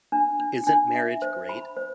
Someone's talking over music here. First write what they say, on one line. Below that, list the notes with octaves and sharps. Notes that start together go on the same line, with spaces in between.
Isn't marriage great?
D4
D4
D4
E5
C5
B5
C5